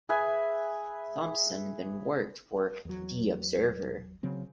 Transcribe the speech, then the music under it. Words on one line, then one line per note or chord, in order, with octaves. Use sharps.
Thompson then worked for "The Observer".
G#4 B4 E5 G#5
E2 F#3
C#3 F#3 C4